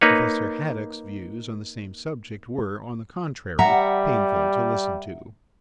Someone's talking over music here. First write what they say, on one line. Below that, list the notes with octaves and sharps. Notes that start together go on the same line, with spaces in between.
Professor Haddock's views on the same subject were, on the contrary, painful to listen to.
A#3 D#4 B4 C#5
G3 E5 F#5 A#5